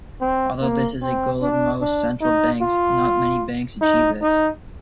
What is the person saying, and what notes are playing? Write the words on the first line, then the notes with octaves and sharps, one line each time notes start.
Although this is a goal of most central banks, not many banks achieve this.
C4
A#3
C4
D4
D4
D#4
F4
D#4
D#4